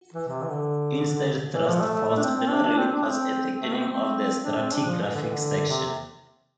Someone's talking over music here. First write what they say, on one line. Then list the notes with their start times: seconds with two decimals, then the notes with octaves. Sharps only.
Instead thrust faults generally cause a thickening of the stratigraphic section.
0.14 E3
0.28 C3
0.43 E3
0.49 D3
1.53 E3
1.67 F3
1.81 A3
1.94 A3
2.08 A3
2.17 D4
2.22 C4
2.36 C4
2.50 D4
2.64 D4
2.74 D4
2.78 C4
2.91 D4
3.06 C4
3.61 A3
3.75 C4
3.88 C4
4.43 D4
4.57 C4
4.72 D4
4.85 F3
4.99 E3
5.13 D3
5.22 E3
5.32 D3
5.69 C3